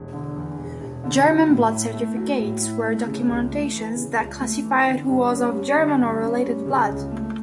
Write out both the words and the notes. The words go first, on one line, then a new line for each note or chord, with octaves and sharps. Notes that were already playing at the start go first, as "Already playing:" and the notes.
German Blood Certificates were documentations that classified who was of "German or related blood".
Already playing: E1
D3
E2
E1
E1
D3
F#3
A2
E4
A3
F#3
A2
E4
A3
C#3
C#2
A3
E3
C#3
C#2
A3
E3
D3
G2
C#4
G3
D3
G2
C#4
G3
C#3
C#2
A3